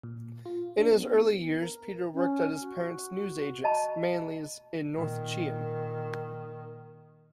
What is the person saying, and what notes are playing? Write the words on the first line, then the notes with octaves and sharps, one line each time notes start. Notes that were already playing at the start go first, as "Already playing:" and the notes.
In his early years Peter worked at his Parents newsagents, Manleys, in North Cheam.
A#2
F4
D4
B3
A#4
C#4
F#4
D#5 A5 B5
A#2 D#3